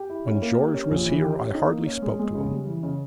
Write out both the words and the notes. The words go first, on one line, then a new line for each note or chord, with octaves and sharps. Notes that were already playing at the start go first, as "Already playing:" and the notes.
When George was here, I hardly spoke to him.
Already playing: G4
E4
C#4
A#3
G4
C#4
A#1
E3
G4
C#4
D#4
A#3
C#4
G#3
G#3
C#3
G3
E3
C#3